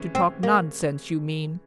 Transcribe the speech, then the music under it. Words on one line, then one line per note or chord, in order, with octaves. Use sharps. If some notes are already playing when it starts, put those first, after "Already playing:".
"To talk nonsense, you mean."
Already playing: C3 E3 G#3 C#4
C4
A#3